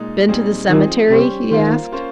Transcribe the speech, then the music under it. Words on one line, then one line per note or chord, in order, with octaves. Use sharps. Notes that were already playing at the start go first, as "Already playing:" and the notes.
"Been to the cemetery?" he asked.
Already playing: A#2 G#3 D#4
A#2 G3 C4 D#4 G#4
D#3 F3 C4 D#4 G#4
C3 G3 C#4 G4 C5
D#3 A#3 F4 C5
A#3 C#4 F4 C5